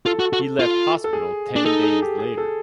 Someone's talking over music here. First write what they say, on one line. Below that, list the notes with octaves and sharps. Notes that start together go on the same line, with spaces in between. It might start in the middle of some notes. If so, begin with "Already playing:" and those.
He left hospital ten days later.
F4 A4
F#4
F#4
F4
A4
G#4
D4
D#4 A4
G#4
G4
G#4
A4